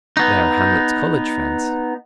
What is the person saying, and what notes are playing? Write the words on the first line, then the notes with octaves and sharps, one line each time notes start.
They are Hamlet's college friends.
B3 D#4